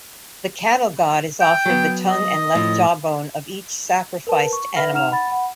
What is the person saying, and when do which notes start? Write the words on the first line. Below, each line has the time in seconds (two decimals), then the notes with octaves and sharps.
The cattle god is offered the tongue and left jawbone of each sacrificed animal.
1.41 G5
1.66 F#3 B3
2.09 D#5
2.55 A2 F3
4.27 A#4 B4 A5
4.53 C#6
4.76 B4 E5 B5 F6 A#6
4.92 D#4 F#5 A#5 F6 E7 F7
5.11 F#5 B5 A6
5.27 F#5 B5